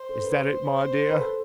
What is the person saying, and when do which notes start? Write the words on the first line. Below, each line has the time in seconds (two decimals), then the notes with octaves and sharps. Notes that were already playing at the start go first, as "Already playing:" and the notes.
Is that it, my dear?'
Already playing: C5
0.09 A4
0.24 B4
0.73 C5
1.10 B4
1.20 A4